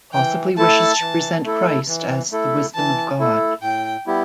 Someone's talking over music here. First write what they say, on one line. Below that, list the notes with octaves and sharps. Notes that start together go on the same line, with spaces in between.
Possibly wishes to present Christ as "the wisdom of God".
E3 G5
A3 E4 A4 A5
E3
A3 E4 A4
E3
A3 E4 A4
E3 A5
A3 E4 A4
A2 G5
G3 B3 E4 G4